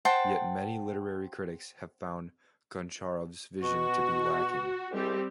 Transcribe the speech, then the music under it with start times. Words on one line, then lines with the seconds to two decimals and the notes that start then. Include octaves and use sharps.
Yet many literary critics have found Goncharov's vision to be lacking.
0.05 C5 F#5 G5 A5
3.62 B2 F#4 C#6
4.92 C2 G3 G#3 C4 G4